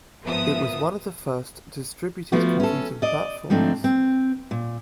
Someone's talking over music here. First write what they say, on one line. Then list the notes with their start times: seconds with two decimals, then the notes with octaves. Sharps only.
It was one of the first distributed computing platforms.
0.24 G#1 F3 B3 A#4 E5 D#6
2.32 F3 A3 B3 F#4
2.60 C#4 A4
3.02 D5 D#5
3.50 G#2 F3 A3 C4 D4 D#4
3.84 C4
4.51 A#2